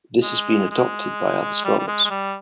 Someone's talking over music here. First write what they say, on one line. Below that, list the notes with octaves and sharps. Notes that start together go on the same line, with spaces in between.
This has been adopted by other scholars.
G#3
G#3
G3
G3
G#3
G#3
G3